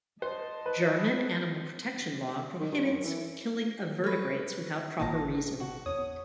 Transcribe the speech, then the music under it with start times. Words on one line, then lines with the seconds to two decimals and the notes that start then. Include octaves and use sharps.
German animal protection law prohibits killing of vertebrates without proper reason.
0.22 C5 D#5 A5
0.66 B4
2.60 D#3
2.72 G2
2.85 F#2
3.04 E3
4.04 A4 B4 C#5
5.00 G#1 A#2 A#3 A5 A#5
5.60 F#4
5.86 E2 C#5 D#6